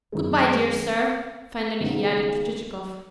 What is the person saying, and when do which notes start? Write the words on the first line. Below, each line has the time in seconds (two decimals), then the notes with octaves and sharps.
"Good-bye, dear sir," finally he added to Chichikov.
0.12 F#2 D#3 G#3
1.80 D#2 C#3 G#3 B3 D#4